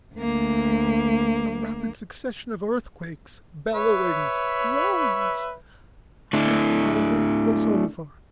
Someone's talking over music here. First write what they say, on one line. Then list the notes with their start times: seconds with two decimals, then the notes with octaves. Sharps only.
A rapid succession of earthquakes--bellowings--groans,--and all was over.
0.15 D2 A#3
3.73 B4 C#5 E5
6.33 A3 D4 E4